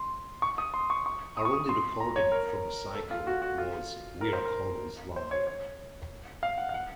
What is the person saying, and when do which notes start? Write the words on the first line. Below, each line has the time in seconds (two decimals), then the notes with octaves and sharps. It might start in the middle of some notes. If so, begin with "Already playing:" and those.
Her only recording from the cycle was "Where Corals Lie".
Already playing: C6
0.42 C#6
0.58 D#6
0.74 C6
0.90 C#6
1.06 C#6
1.37 D#6
1.45 C#6
1.53 D#6
1.69 C6
2.00 A#5
2.16 C#5
2.32 A#4
2.95 A4
3.11 F4
3.27 F#4
3.42 F#4
3.58 F4
4.21 A#4
4.33 C5
4.45 A#4
5.16 C5
5.31 C#5
5.47 C#5
6.43 F5
6.58 F#5
6.69 F5
6.74 F#5